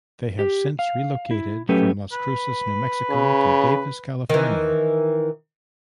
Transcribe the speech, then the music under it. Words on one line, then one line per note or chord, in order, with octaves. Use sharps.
They have since relocated from Las Cruces, New Mexico to Davis, California.
G4
F5
E4
F#3 A3 C#4 G4 A4 B4
B4
C#3
D#3 E3